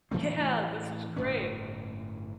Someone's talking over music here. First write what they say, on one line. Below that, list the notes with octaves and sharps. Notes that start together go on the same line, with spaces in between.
Yeah, this was great
A2 E3 A3 C4
G1 A2 C#4